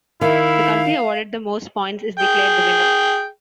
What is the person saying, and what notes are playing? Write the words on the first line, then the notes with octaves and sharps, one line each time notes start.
The country awarded the most points is declared the winner.
D#3 E4 F5
G#4 G5